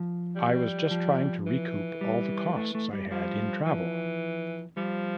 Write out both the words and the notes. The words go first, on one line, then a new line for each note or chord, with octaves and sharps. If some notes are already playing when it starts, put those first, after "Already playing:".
I was just trying to recoup all the costs I had in travel.
Already playing: F3
G3
F3
E3
G3
A3
A3
G3
F3 G3
E3 F3
F3 G3